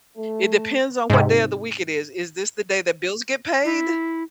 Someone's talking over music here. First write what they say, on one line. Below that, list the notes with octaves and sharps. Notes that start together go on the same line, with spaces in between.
it depends on what day of the week it is, is this the day that bills get paid?
A3
G#2 C3
E4